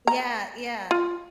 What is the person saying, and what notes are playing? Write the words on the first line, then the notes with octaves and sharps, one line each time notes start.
Yeah, yeah,
A#5
F4